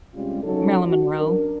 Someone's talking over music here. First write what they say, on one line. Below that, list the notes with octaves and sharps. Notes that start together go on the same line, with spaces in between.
Marilyn Monroe.
C3 G3 G#3 C#4 F4
C#3 F#3 C#4 D#4 A4
F#4
F#2 D4 A#4